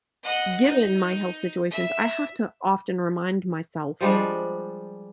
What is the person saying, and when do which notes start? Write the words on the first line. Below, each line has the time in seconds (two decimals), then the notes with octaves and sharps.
given my health situations, I have to often remind myself,
0.23 D#5 F#5
0.64 D#4
1.71 E5
4.01 F3 G3 G#3 D4